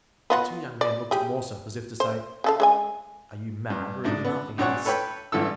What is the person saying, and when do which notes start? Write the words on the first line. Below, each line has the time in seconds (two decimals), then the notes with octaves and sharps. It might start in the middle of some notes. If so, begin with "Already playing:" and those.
The two young men looked at Morcerf as if to say,--"Are you mad, or are you laughing at us?"
0.30 B3 F4 F#4
0.81 D5
1.11 G4 G#4
2.00 C5
2.44 C#3 A4 F5
2.60 G#3 D5 G#5
3.70 G2
4.04 A1 G#2 D4
4.25 B3
4.58 A#1 D4 C#5 F#5 C#6
4.85 A4 B4 C#5 G5 B5
5.32 G#1 G2 D3 E3 A4 E6